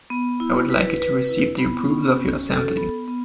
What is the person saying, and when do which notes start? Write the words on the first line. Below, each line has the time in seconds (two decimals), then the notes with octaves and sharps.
I would like it to receive the approval of your assembly.
0.10 B3
0.40 E4
0.70 B4
1.00 B4
1.29 E4
1.59 B3
1.89 C#4
2.19 C#4
2.49 A4
2.77 B3
3.08 B3